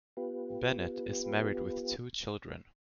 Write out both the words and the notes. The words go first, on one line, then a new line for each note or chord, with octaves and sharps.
Bennett is married with two children.
B3 F4 G4 B4